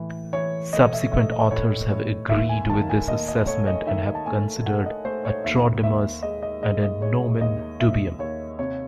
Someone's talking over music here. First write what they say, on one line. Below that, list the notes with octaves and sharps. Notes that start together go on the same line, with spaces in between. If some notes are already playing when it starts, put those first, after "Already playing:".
Subsequent authors have agreed with this assessment and have considered "Antrodemus" a "nomen dubium".
Already playing: A2 E3
E3 C#5
A3 D#5
E5
A3 E5
D#5
A2 C#5
A2 C#5
D#2 E5
G#5
D#3 A5
G#5
D#2 D#5
D#5
A3 C#5
D#5
D#3 E5
A5
A3 G#5
A3 F#5
D#5
A3 C5
C#5
D#2 E5
D#2 E5
G#3 D#5
D#5
G#3 D#5
D#5
G#3 C#5
D#2 D#5
D#2 E5
D#2 C#5
C3 C#5